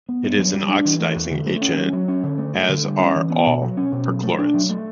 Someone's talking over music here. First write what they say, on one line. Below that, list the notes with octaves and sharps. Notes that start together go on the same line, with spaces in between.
It is an oxidizing agent, as are all perchlorates.
B3
G2
F#3
G3
D4
E3
A3
E2
D3
A3
C#4
F#3
F#3
C#4
D3
A3
G2
D3
G3
C#4
E3
B3
B2
F#3
C#4
B2
F#3
A3
D4
F#3
A3